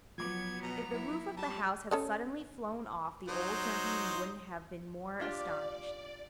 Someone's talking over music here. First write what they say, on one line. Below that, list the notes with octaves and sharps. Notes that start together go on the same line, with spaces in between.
If the roof of the house had suddenly flown off, the old gentleman wouldn't have been more astonished.
F3 F#3 B3 D6 G#6
B2 A#5
E4
G3 A5
C#4 A4 D#5
F#3 D#4 C5
D4 F4 G4 D5